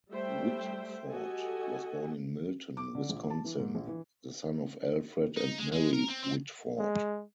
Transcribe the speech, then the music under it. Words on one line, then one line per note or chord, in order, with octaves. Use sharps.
Whitford was born in Milton, Wisconsin, the son of Alfred and Mary Whitford.
G3 A3 C5 E5 G5
F#4 G4 A4 D#5 G#5
D6
D3
A#1
A5
E3
G#2
A#1
E3
D#4
G#3
G#3
A#4
C4
C4
G#3